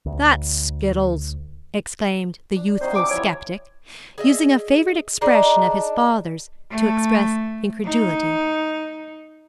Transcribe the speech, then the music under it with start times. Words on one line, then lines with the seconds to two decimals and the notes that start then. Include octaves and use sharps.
'That's skittles!' exclaimed the youthful sceptic, using a favourite expression of his father's to express incredulity.
0.06 D2
2.56 D4
2.81 C3 D#4 F#4 C5
2.96 F#4 G#4 E5 D6
3.10 E3 F3 G3 C#5
4.18 G#4 D#5 E5
5.21 D4 D#4 G#4 D#5
6.71 A3
7.85 D#4